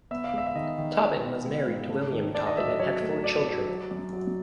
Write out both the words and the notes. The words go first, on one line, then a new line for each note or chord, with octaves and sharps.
Tobin was married to William Tobin and had four children.
B3 E5
F5
G#3 E5
E5
D#3 D#5
D#3
G#3
B3
G#3
G#2
A3
D#3
D4 D5
D#5
F#3 E5
D#5
F#3 C#5
A3
D4 D5
F#3
F#3
F#2
F#3